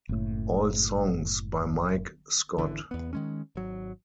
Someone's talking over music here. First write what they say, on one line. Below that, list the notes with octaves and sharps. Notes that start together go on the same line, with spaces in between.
All songs by Mike Scott.
F#1 A2
G#1 D3 E3
E2 B3
D#3 G#3 C#4
G#1 F#3